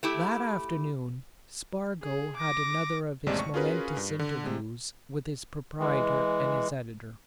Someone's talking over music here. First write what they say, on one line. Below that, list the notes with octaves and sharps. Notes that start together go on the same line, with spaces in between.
That afternoon Spargo had another of his momentous interviews with his proprietor and his editor.
A3 E4 G4
G#4
D6 A#6
A1 D#2 C3 G#3 D5
C#6
C#4 F4 F#4 G#4 A#4 B4
G2
D3
C3 G#3
E3 G#3